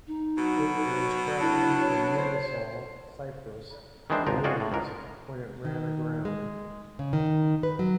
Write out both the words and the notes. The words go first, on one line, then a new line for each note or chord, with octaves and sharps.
It was traveling from Limassol, Cyprus to Rhodes when it ran aground.
D#4
B2 F#3
D4 E4
C#5
C5
D#3 E3 G#3 D4 C5
G#1 C#2 F3 F4 A#4
F4 F#4 G#4 D5 D#5 G5
A2
C#2 G#2 A#4
D#3
G#3
C#3
D#3
B4
F#3